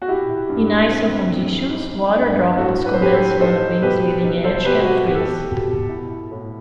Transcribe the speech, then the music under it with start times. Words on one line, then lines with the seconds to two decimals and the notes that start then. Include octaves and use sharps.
In icing conditions, water droplets condensing on a wing's leading edge can freeze.
0.02 F#4
0.08 E4 G4
0.49 G2
0.91 C4
1.33 E2
1.75 D#4
2.17 G2
2.57 A2 F#4 A4
2.86 B4
2.93 C5
3.00 A2 G4 B4
3.12 A4 C5
3.40 D#4 A4 C5
3.81 B2 G4 B4
4.24 D#4
4.44 A4 C5
4.65 B2 G4 B4
4.80 F#4
4.85 G4
5.07 B2 G4
5.15 A4
5.25 G4
5.49 B2
5.89 E4
6.32 A2